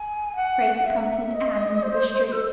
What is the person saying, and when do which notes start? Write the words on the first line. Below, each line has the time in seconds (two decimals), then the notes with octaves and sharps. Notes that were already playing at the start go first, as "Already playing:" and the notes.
Grace accompanied Anne into the street.
Already playing: G#5
0.35 F#5
0.84 E5
1.34 D#5
1.82 C5
2.32 A4